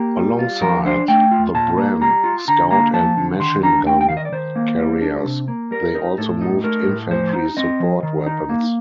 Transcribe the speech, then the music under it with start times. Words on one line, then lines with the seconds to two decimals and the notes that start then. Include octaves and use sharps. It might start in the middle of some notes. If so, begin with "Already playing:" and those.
Alongside the Bren, Scout and Machine Gun Carriers, they also moved infantry support weapons.
Already playing: A#3 G4
0.17 G3
0.39 F4
0.62 F3 A#4
0.85 D4 C5
1.08 A3 G5
1.31 F4
1.54 A#2 A5
1.77 A#3
2.01 G3 A#5
2.24 F4
2.48 D3 A#5
2.71 A#3 A#5
2.93 F3 A5
3.17 D3
3.40 D#3 C6
3.63 D4 A#5
3.86 A3 G5
4.01 G5
4.09 D#3 F5
4.17 D#5
4.25 D5
4.32 D#3 C5
4.56 A#3
4.79 G3
5.02 D4
5.25 C3
5.48 A#3
5.71 G3 A#4
5.95 D#4
6.18 A2 A4
6.41 D#4
6.64 A3 A#4
6.87 A2
7.10 F3 C5
7.33 D#4
7.57 C4 D#5
7.80 F3
8.03 D#3
8.26 D#4
8.49 A#3